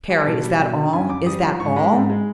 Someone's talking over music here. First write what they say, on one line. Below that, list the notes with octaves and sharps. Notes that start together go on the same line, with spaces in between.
"Parry, is that all?--is that all?"
G3 G#5
B2 A5
G3
B2
D3
F#2 G#5
F#2 D6
G3 D#6
F3
G#2 C#6
G#3 B5
G#2
G#3